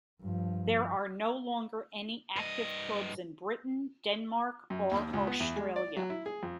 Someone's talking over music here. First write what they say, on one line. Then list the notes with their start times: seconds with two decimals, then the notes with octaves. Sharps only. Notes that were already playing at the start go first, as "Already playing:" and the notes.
There are no longer any active clubs in Britain, Denmark, or Australia.
0.21 G2 F3
2.36 G2 D#5
4.70 F#2
4.91 D#2
5.13 C#2
5.27 B3
5.40 E2
5.56 G#3
5.76 D5
5.97 F#3
6.10 E4
6.26 G#4
6.43 F2